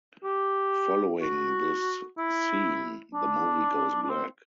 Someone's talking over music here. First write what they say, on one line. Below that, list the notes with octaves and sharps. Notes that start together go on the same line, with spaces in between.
Following this scene, the movie goes black.
G4
F#4
E4
D4
D4
C4